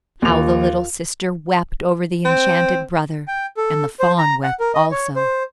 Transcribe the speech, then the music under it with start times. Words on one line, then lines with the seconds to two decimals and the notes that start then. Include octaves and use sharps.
How the little sister wept over the enchanted brother, and the fawn wept also.
0.22 D#2 F4 F7
2.25 C4
3.28 G5
3.57 A4
4.00 C5
4.19 A#5
4.43 F#5
4.60 A#4
4.74 D#5
4.92 C#5
5.16 C5